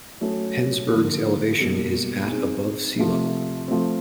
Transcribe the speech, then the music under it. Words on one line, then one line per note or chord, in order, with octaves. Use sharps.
Pennsburg's elevation is at above sea level.
F#3 A3 C#4
D3 F3 A#3
B2 G3 A#3
C4 D#4 G#4
C3 F3 A3
F3 A3 C4